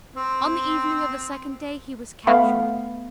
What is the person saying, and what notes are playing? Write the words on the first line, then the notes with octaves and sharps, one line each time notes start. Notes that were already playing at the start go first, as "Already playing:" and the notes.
On the evening of the second day he was captured.
C4
A3 B3 F5 B5